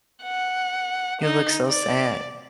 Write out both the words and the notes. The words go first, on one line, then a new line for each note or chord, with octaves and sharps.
"You look so sad.
F#5
D#4
D5